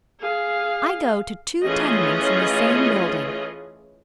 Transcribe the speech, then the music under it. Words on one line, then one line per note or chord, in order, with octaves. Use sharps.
I go to two tenements in the same building.
G#4 F5
E3 A3 C#4 F4 G#4 D#5